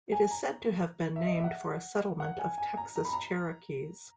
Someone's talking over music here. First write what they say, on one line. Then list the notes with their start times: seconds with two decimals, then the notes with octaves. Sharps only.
It is said to have been named for a settlement of Texas Cherokees.
0.12 G#5
0.31 A#5
1.16 E5
1.26 D#5
1.35 E5
1.44 F#5
2.20 F#5
2.39 G#5
2.58 G#5
2.77 A#5
2.96 A#5
3.05 B5
3.13 A#5